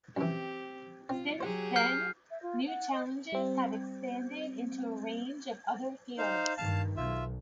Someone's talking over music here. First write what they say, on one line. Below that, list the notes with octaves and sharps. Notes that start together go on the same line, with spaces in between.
Since then, new challenges have expanded into a range of other fields.
F#2 E3 C4 G4
C4 F4
F#3 G4 G#4 C5 F#5
F6 G6 C7
E5
F4
F#5
D#5
G3 C4
D#4 C5 F5
G2 D#3 F5 A5
B1 F4 E5